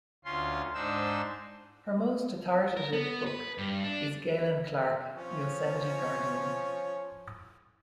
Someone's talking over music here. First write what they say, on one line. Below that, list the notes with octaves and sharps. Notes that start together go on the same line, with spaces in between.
Her most authoritative book is "Galen Clark: Yosemite Guardian".
D2 C#4 F4 C6
G#2 D4 D#4 C5 E6
A#4
B3
B4
G2
D4
F3 C#4 C#5